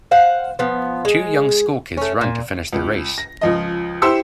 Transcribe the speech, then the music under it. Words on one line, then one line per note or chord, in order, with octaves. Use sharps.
Two young school kids run to finish their race.
C5 F5 F#5
F3 B3
G#3
A3 C#4
A#2
C#2
A#6
C#2 F3 D#5
E4 G4 C5 E6 C#7